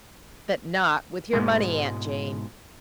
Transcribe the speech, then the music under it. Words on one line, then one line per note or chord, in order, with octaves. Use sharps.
But not with your money, Aunt Jane.
G#2 B2 G#3